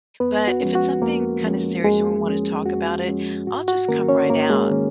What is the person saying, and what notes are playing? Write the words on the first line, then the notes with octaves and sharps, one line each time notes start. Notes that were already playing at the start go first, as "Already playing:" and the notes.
but, if it's something kinda serious and we wanna talk about it, I'll just come right out
F2 B3 B4
F#4
F3 G#3 C#4
F#4
F2 A#3 A#4
F3 G#3 C#4
F2 G#3 G#4
F3 G#3 C#4
F2 F#4
F3 G#3 C#4
G#2 F#4
F#4
D#3 A#3 C#4 A#4
C#4 C#5
G#2 A#3 A#4
G#3 G#4
D#3 A#3 C#4